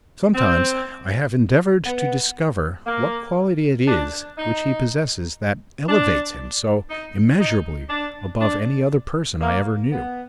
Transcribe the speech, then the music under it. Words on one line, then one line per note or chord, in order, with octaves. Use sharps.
Sometimes I have endeavoured to discover what quality it is which he possesses that elevates him so immeasurably above any other person I ever knew.
C4
B3
A#3
D4
D#4
D4
D#4
D#4
D4
D4
A#3
B3